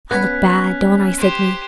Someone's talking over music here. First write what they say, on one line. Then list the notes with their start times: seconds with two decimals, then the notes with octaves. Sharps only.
I look bad, don't I, Sidney?'
0.11 B3 C#4 F#6 G#6 B6
1.17 G4 C5